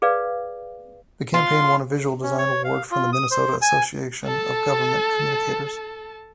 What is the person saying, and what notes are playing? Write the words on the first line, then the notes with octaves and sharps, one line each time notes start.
The campaign won a visual design award from the Minnesota Association of Government Communicators.
G#4 B4 D5 F5
F4 C6
C#4
C#5
F5
F4
D#6
C5
G#5
A4 A5